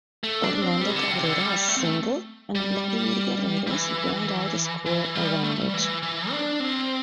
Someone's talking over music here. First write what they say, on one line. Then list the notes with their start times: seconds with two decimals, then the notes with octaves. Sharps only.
Orlando Cabrera's single and Vladimir Guerrero's groundout scored a run each.
0.24 A3
0.43 D4
0.55 D4
0.62 C4
0.81 G3
0.90 C3
0.96 D3
1.11 C3
1.25 D3
1.39 G3
1.68 A3
1.77 C4
1.84 A3
2.55 G3
3.67 G3
3.70 E3
4.86 E3
5.15 G3
5.44 A3
5.62 G3
5.73 E3
6.03 E3
6.31 D4
6.60 C4